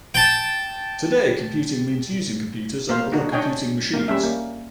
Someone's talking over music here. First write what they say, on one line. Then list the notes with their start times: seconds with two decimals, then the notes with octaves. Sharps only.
Today, "computing" means using computers and other computing machines.
0.14 G5 A5
2.89 A#3 C5 F5
3.12 D4 D#4 F#4
3.32 D4 C#5 D#5 G5 G#5
3.94 A#3 F5
4.08 G3 C#4 E5
4.24 A#3